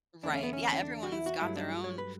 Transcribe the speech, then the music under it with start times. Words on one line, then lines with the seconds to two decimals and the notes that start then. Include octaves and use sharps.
Right, yeah, everyone's got their own
0.23 E2 D3 A3 D4
0.33 C#4
0.43 B3
0.53 C#4
0.72 C#4
0.82 D4
1.03 F#4
1.12 E4
1.26 F#4
1.41 G2 F#3 A3 E4
1.56 D4
1.84 C#5
1.98 B4